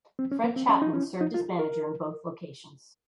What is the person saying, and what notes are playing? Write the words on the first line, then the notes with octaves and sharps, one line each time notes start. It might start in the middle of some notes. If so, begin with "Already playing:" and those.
Fred Chapman served as manager in both locations.
C4
C#4
A#3
C4
C#4
D#4
C#4
D#4
F4
A#4